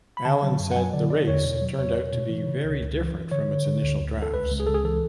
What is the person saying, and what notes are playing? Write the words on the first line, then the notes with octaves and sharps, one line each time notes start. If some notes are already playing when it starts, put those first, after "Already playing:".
Allan said "The Race" turned out to be very different from its initial drafts.
B5
D3 A5
F#3
F#2
F#5
F#3 G#5
D3 D5
D3 D5
E2 C#5
B2
F#3
E2 C#5
B2
B2
E3
C#3
C#2
C#2
E3
E3
D3 C#5
D3
D3
D2
D2
D2
A4
C#2 B4
C#2
G#4
C#2 A4
G#4
E3 A4